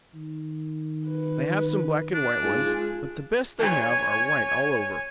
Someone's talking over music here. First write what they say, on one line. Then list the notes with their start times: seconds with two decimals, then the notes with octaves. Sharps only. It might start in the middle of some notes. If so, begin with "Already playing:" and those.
They have some black and white ones; but the best they have are white all over.
0.15 D#3
1.07 B4
2.14 D4
2.43 G#2 F4 G#4
3.59 C#5 G#5